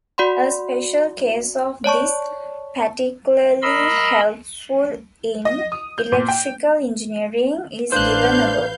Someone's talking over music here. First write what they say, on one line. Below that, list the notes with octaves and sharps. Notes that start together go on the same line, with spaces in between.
A special case of this, particularly helpful in electrical engineering, is given above.
F#4 D5 F#5 B5 C6
C#5 D5 A5 C#6
A#4 D#5 B5 C6 E6
D#5
D#6
G6
A#2
G5
A1 D4 B4 C5 F5 F#6 G6